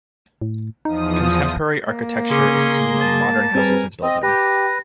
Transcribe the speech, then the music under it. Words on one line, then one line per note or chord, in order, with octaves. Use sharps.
Contemporary architecture is seen in modern houses and buildings.
A2
E2 F3 D#4 D#6
E3
A#3
C#3 C#4 G#4 D#5 G#5 C6 D6
A5
G3 C4 G#4 A#4 B4 G#5
C4 D#5
G4 B4 A#6